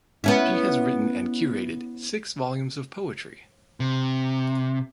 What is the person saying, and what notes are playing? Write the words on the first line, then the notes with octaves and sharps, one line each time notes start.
She has written and curated six volumes of poetry.
B3 C#4 E4
C3